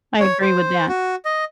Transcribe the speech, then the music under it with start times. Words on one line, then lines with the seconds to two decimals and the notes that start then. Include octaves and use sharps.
I agree with that.
0.20 C#5
0.42 C5
0.89 F#4
1.25 D#5